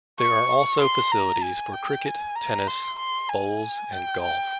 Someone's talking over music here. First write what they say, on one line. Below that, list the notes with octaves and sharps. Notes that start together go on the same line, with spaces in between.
There are also facilities for cricket, tennis, bowls, and golf.
C#6
C6
A#5
G#5
G5
G#5
A#5
C6
C6
G#5
G5
G5